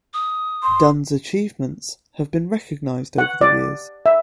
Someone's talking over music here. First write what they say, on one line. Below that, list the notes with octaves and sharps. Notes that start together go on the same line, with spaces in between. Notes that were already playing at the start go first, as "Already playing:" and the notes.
Dunn's achievements have been recognized over the years.
D#6
C6
F#5
D5
E5